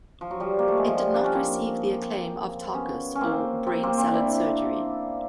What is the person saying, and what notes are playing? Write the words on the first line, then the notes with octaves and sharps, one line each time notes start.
It did not receive the acclaim of "Tarkus" or "Brain Salad Surgery".
F3
F#3
F3 G3
A#3
A3
G#3
F3 G3
D4
C#4
A#3 C4
B3 C#4
C#4
A#3 C4
A#3 C4
A#3 C4
C4 D4
D4 E4